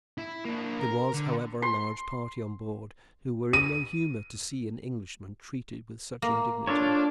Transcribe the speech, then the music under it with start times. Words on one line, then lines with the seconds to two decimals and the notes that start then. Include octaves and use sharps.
There was, however, a large party on board who were in no humour to see an Englishman treated with such indignity.
0.18 E4
0.45 A#3 D4
0.79 A#4
1.13 D3
1.62 C6
3.53 D#7
6.22 A#3
6.67 D4 F4 A4 C#5 D5